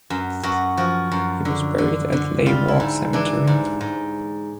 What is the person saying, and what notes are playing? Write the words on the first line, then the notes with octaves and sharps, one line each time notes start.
He was buried at Lae War Cemetery.
F#2
F#2 F#4
F3 F#4
F#2
D3
D3
D3
G3 F4
E4
G#2
E3 D4
G#2
G#2